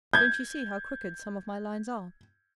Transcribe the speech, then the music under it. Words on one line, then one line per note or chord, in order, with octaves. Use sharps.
Don't you see how crooked some of my lines are?
G6 G#6